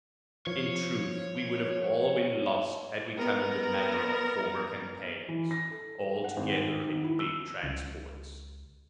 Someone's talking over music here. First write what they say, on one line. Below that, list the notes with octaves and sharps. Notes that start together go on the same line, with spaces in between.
In truth we would have all been lost, had we come in the manner of former campaigns, all together in big transports.
F3 C#5
B3 A#4
E3
A#6
A4
F#5
G#1
D#3
E4
E6
C#2